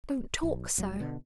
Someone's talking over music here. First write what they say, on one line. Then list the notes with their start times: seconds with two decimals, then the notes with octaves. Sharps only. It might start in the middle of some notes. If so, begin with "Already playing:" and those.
Don't talk so.'
0.43 B1
0.78 F1 F#3
1.00 B2 D3